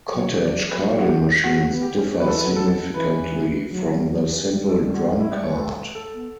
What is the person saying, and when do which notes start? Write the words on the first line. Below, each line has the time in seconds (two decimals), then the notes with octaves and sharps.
Cottage carding machines differ significantly from the simple drum card.
0.12 F#3
0.19 C#5
0.31 E3
0.44 D5
0.50 F#3
0.69 F#3 B4
0.98 F#4
1.06 G4
1.44 A3 F#4
1.69 B3
1.82 G4
1.94 C#4
2.19 F#3 B4
2.28 E3 A4
2.38 B4
2.42 F#3
2.56 A4
2.94 E3 B4
3.70 F#3
3.88 G3
4.08 F#3
4.27 E3
4.44 G3
4.69 A4
4.95 F#4
5.20 E4
5.36 D5
5.44 C#5
5.50 B4
5.58 A4
5.95 A4
6.14 B3